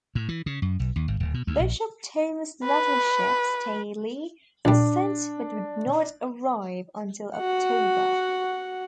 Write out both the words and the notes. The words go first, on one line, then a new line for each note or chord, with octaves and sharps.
Bishop Thomas Nettleship Staley was sent but would not arrive until October.
A2
E3
C#3
F#2
B1
D#2
G#1
D1
B2
D2
A#1
B4
A#1 G3 D4
F#4 F#5